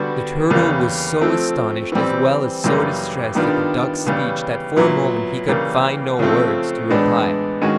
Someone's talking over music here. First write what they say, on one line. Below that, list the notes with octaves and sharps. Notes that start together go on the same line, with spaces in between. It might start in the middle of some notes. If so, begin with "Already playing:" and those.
The turtle was so astonished as well as so distressed at the duck's speech that for a moment he could find no words to reply.
Already playing: D3 G3 B3 D4 F#4
E2 C#3 E3 G3 A#3
F3 A3 C4
E3 G3 C4
F#2 C#3 E3 G3 A#3
D#3 G3 B3 D4 F4
C#3 E3 G3 B3
A#2 F#3 B3 E4
C#3 E3 G3 A#3
C#3 F3 A3 C4
A2 E3 G#3 B3 D4
D#3 G#3 C#4 F#4